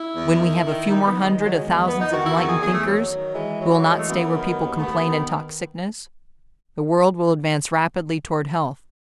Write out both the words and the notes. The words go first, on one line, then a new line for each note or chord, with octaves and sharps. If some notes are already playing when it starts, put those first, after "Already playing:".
When we have a few more hundreds of thousands of enlightened thinkers who will not stay where people complain and talk sickness, the world will advance rapidly toward health.
Already playing: E4
E2
D#3
D#3
D#3 D#4
B3
D#3
G#3
D#3 G#3
F#3
G#3
E2
E2 B3
D#4
D#3 F#4
E4
E2 F#4
G#4
E2 G#4
A3
D#3 F#3
D#3
E3 G#3
F#2 F#3
E3 G#3
A3
F#2 B3
D#3
D#2
A3
D#2 B3
D#3